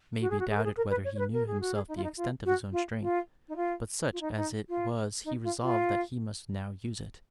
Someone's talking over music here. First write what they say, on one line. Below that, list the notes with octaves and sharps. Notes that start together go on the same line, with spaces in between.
It may be doubted whether he knew himself the extent of his own strength, but such as it was he resolved that he must now use it.
F#4
G#4
F#4
G#4
A#4
G#4
A#4
B4
C#5
C#5
B4
A#4
G#4
F#4
G#4
D#4
F4
D#4
F4
F#4
F4
F4
D#4
F4
F4
D#4
D#4
F4
D#4
F4
F4